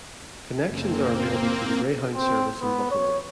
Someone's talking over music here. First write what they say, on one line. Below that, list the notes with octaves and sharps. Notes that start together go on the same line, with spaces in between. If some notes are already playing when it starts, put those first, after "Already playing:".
Connections are available to the Greyhound service in Buffalo.
F#1 A#3 C4
C4
B3
C#5